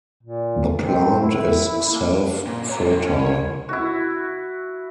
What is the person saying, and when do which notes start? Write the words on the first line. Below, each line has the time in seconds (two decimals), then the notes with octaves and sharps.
The plant is self-fertile.
0.23 A#2
0.82 C4
1.20 E4
1.90 A#3
2.47 A#2
2.70 C#5 A#5
2.83 A3 F4
3.05 C#4
3.19 C#5
3.69 E4 F#4